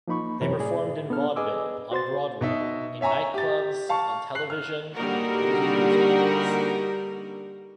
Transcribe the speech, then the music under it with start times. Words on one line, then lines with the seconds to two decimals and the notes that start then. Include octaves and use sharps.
They performed in vaudeville, on Broadway, in nightclubs, on television, and in movie musicals.
0.08 F3 A#3 D#4 B5 C#6
0.41 F#2 C3 E3 A#4 C#5
0.59 A2 G#4 D5
1.10 B3 D4 A4 F6
1.36 G#4 B4 D#5 G#5 D6 E6
1.91 F#4 C5 C6 A6
2.41 B2 D#4 E5
3.01 C#5 E5 G#5 A#5 C#6
3.34 G4 A6
3.89 F5 A5 C#6
4.35 F#6 C7 F#7
4.50 F6
4.95 D3 G3 A#3 D#4 F#4 A#4